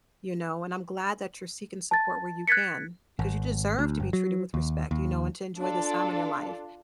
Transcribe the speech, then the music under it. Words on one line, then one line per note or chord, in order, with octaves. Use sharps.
you know, and, I'm glad that you're seeking support where you can, because you deserve to be treated with respect, you know, and to enjoy this time in your life.
A5 A6
F#6 G#6 A6 B6 C#7
G#1
D2
G1
F#3
D#2
D#2
D4 F4 A4